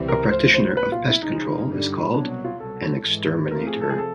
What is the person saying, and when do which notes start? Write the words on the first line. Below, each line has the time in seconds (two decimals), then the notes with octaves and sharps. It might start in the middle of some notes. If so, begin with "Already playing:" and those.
A practitioner of pest control is called an exterminator.
Already playing: C#2 C3 E3 G3 C4
0.08 A#4
0.31 G#2 F3 A3 C5
0.54 C5
0.76 C2 A#2 F#3 B3 B4
0.92 F4
1.08 E4
1.22 C#3 F3 G#3 D#4
1.68 G2 D3 G3
2.14 C2 B2 F#3 D4
2.45 F4
2.60 C2 B2 F#3 A4
3.06 G#2 E3 G#3
3.46 B4
3.51 C3 F3 A3 A#4
3.67 G#4
3.81 A4
3.90 G#4
3.98 A4